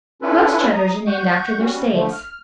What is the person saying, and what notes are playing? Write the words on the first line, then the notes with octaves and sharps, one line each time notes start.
Most Cheddars are named after their states.
C#4 D4 E4 F4 A4 B4
A#5 D#6
F#5 C#6 G6
G3 C#4 F#4
D3 F3 A3
F6